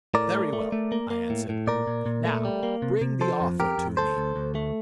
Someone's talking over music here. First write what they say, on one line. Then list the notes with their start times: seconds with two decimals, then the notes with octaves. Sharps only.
"Very well," I answered; "now bring the author to me."
0.14 A2 A#4 D5
0.34 A3
0.53 A3
0.72 A3
0.92 A#3
1.10 A#3
1.30 A2
1.49 A2
1.67 A#2 A#4 D5
1.87 A#2
2.06 A#2
2.25 A3
2.45 G3
2.63 A#3
2.82 C3
3.01 C3
3.21 F3 A4 C5
3.41 F2
3.60 F2 G4 A#4
3.78 F2
3.97 D2 A4 C5
4.17 D2
4.36 D2
4.55 A3